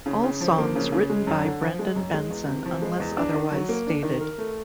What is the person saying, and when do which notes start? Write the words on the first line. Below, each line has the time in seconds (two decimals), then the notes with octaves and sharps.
All songs written by Brendan Benson unless otherwise stated.
0.06 C#3
0.24 C#3
0.41 F3
0.58 A#3
0.75 C#3
0.92 C#3
1.10 G#3
1.27 F#2
1.44 D3
1.62 F3
1.79 G#3
1.96 F#2
2.14 G#3
2.30 E2
2.48 C3
2.65 F3
2.82 G#3
3.00 E2
3.17 D4
3.34 D#3
3.51 F#3
3.69 A#3
3.87 D4
4.03 D#3
4.20 A#4
4.38 A3